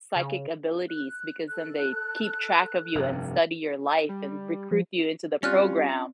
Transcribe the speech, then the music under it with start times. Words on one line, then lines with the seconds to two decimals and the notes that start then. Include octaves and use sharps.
psychic abilities, because then they keep track of you and study your life, and recruit you into the program."
0.16 C#3
0.89 F#6
1.49 A4 F#6
2.95 F1 G2 C3
4.09 G3
4.71 F3
5.43 G3 C4 C#4 F4 D5 F6 F#6